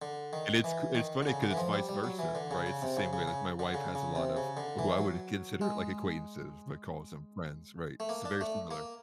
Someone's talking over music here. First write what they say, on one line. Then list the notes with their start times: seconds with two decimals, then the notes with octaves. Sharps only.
And it's c it's funny 'cause it's vice versa, right? It's the same way, like, my wife has a lot of who I would consider, like, acquaintances, but calls them friends, right? It's very similar.
0.02 D3
0.33 D#3
0.64 E3
0.95 D#3
1.23 D3
1.27 C#3
1.42 D3
1.51 E3
1.57 F3
1.73 G3
1.89 G3
2.04 F#3
2.19 E3
2.35 D3
2.51 C#3
2.66 C#3
2.82 C3
2.97 C#3
3.13 C#3
3.28 C#3
3.59 D3
3.74 C#3
3.95 C#3
4.15 C3
4.37 C#3
4.57 D3
4.79 E3
4.98 F#3
5.61 G#3
8.00 A3
8.09 A#3
8.25 D4
8.41 A3
8.71 A#3